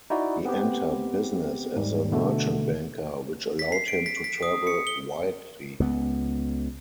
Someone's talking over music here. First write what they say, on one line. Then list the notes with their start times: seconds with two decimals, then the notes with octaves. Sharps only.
He entered business as a merchant banker, which allowed him to travel widely.
0.10 D#4 E4 F#4 D5
0.45 B3 C4 G4
1.76 G#2 G3
2.12 B2 D3 A3
3.59 B6
3.72 C7
3.88 D7
4.06 B6
4.24 B6
4.43 D#6
4.67 C#7
4.87 G7
5.80 C#2 B3